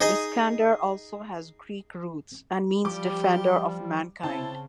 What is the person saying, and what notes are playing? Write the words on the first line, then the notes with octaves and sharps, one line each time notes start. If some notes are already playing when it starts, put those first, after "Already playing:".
Iskander also has Greek roots, and means Defender of Mankind.
D#4 G#4 D#5
F3 G3 G4 D6
C#3 C4 E4 A5